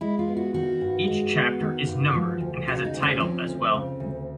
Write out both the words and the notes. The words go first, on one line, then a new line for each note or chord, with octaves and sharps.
Each chapter is numbered and has a title as well.
G#3 E4
F4
B3
F#4
D#3 F#4
G2
G#3
B3
D#3
G2
F3
D2
C#3 F#4
D#4
D2
C#4
F3 C4
D2
C#3
D2